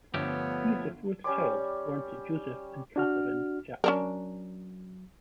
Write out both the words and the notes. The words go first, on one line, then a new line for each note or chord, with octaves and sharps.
He is the fourth child born to Joseph and Katherine Jackson.
G1 F3 A3 B3 G4 C#5
G3 C#4 D5 D6
D4 F#4 F6
F#3 C#4 D4 A#4